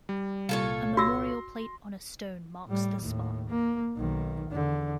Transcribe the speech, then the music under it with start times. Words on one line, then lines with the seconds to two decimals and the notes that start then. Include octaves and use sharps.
A memorial plate on a stone marks the spot.
0.09 G3
0.49 C2 A#2 F4 A4 C#5
0.97 F#4 C6 E6 A#6
2.66 A2 G3
3.02 D#2 A2
3.49 A#3
3.97 B1 D#3
4.50 E2 D3